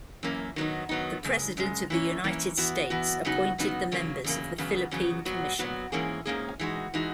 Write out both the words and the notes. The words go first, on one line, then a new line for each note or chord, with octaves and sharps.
The President of the United States appointed the members of the Philippine Commission.
F#2 E3 A#3 C#4
D#3 F#3 B3 D#4
D#3 F#3 B3 D#4
F#2 C#3 G#3
F#2 C#3 G#3
E3 A#3 C#4
E3 A#3 C#4
E3 B3 F#4
E3 B3 F#4
C#3 F#3 B3 D#4 F#4
C#3 F#3 B3 D#4 F#4
E2 C#3 F#3 A#3
E2 C#3 F#3 A#3
E2 C#3 F#3 B3
E2 C#3 F#3 B3
A#2 F#3 B3 F#4
A#2 F#3 B3 F#4
G#2 E3 A#3 C#4 G#4
G#2 E3 A#3 C#4 G#4
E3 G#3 D#4 F#4
E3 G#3 D#4 F#4